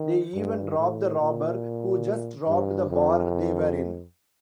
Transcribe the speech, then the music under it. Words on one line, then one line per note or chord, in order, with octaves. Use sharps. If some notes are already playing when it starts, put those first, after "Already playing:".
They even rob the robber who just robbed the bar they were in.
Already playing: D#3
G2
A2
A#2
G2
F2